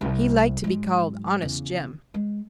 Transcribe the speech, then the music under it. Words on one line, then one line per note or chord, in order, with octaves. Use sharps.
He liked to be called Honest Jim.
C2
G#2 F#3
E2 C#3
G#3